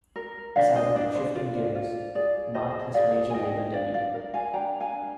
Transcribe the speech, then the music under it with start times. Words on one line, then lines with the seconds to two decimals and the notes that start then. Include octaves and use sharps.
His album "Shifting Gears" marked his major-label debut.
0.16 A#4
0.56 D4 D5 F5
0.76 C5 D#5
0.95 D4 D5
1.15 C5
1.35 F4 D5
1.75 F4
2.15 G#4 D5
2.54 G#4 C5 D#5
2.94 G#4 D5 F5
3.30 G#5
3.34 G#4 D#5 G5
3.74 D4 D5 F5
3.94 D5 F5
4.14 A#4
4.34 F5 G#5
4.53 D4 G5 A#5
4.80 F5 G#5
4.93 D4